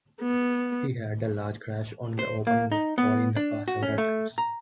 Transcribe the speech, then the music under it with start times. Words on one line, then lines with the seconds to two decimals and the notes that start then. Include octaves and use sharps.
He had a large crash on the opening lap, rolling the car several times.
0.21 B3
2.19 C5
2.47 A#3
2.72 D#4
2.98 B3
3.36 D4
3.68 F#4
3.83 C#4
3.98 A3
4.38 A#5